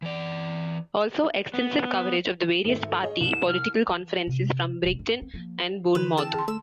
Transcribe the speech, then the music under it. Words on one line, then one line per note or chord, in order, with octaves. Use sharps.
Also extensive coverage of the various party political conferences from Brighton and Bournemouth.
E3 D5
B3
G#1 A3
G#4 C#5 D#5
C2 E7
F6
E3
C3
E1
F#2
C4
F3 A#3
D3 E3 B4
C4 G#4 A5
G#4 C6
A3 E6